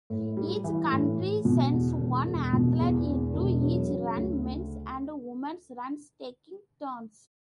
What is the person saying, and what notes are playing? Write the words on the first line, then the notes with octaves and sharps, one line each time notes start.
Each country sends one athlete into each run, men's and women's runs taking turns.
A2
G3
E3
A2
A2
B2
E2
E1
E1
B2
E2
E1
E1
F#3
C#3
D2